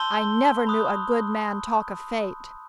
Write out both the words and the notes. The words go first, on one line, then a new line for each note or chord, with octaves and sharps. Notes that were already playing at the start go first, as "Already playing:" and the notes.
I never knew a good man talk of fate.
Already playing: A5 C6 E6 G6 G7
B5 D#6 F#6